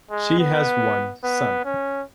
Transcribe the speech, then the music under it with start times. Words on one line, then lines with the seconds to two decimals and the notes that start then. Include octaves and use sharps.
She has one son.
0.11 G#3
0.39 B3
1.24 B3
1.65 C#4